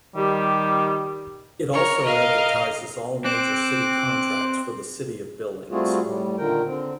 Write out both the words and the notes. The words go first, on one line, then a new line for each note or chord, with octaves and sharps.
It also advertises all major city contracts for the City of Billings.
D#3 G3 G4
A#4 C#5
A#4 D#5 F5
C4 D6 F#6
G3 A3 C4 F4 F#4 G#4
A2 G3
A#2 D3 D#3 A#4 G5
D3 C4